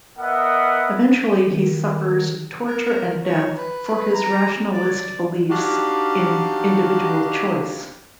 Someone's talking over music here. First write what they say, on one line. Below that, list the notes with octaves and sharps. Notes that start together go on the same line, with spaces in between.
Eventually he suffers torture and death for his rationalist beliefs in individual choice.
B3 A#4 D#5 E5 F#5
D#3
A#4
C#5
B4
A#5
D5
D4 D#4 F#4 G4 F5 G5